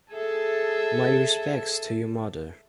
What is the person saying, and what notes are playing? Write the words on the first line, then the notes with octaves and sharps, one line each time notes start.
My respects to your mother.
G#4 A4 E5 A5